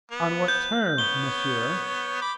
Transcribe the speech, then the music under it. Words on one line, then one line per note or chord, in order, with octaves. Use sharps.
"On what terms, monsieur?"
B3
G6
B3 C#5 G7
B5 D6